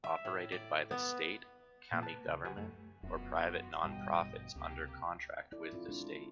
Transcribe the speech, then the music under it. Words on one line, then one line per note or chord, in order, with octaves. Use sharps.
Operated by the state, county government or private nonprofits under contract with the state.
E5
A2
D5
B3
A#2 A#3 B3
B4 A5
C#2
G4 B4 F#5 G#5
F#2 A3
E1 F#2 B3 F4 F#4
A1 G2 B2 G3 D#5 G5
C#2 C3 A#3 G4
E4 A4 D5
C4 F4 D5
G#3 D4